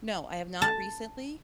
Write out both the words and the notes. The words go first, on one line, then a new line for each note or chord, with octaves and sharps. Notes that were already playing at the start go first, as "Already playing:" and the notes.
No, I have not recently.
A5